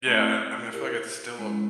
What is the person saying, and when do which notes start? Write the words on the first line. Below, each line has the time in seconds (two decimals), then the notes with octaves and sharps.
Yeah, I I mean, I feel like it's still, um,
0.07 A3 C4 E4
0.72 E4 G4 A#4
1.39 G#3 C#4 E4